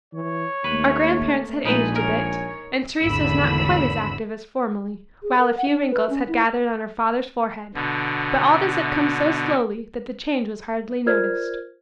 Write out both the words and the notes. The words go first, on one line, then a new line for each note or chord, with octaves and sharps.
Our grandparents had aged a bit, and Teresa was not quite as active as formerly, while a few wrinkles had gathered on our father's forehead; but all this had come so slowly that the change was hardly noticed.
E3 C#5
D#2 A3 A#3 B4
A#1 A#2 G#3 A3 D#4 B4 G#5
A#4 C#5
G#1 E2 D3 A3 B5 E6
G#4
A#4
F#5
D4
B4
C#4
E4
B2 D3
F4 A#4 C5 D5 F6 G#6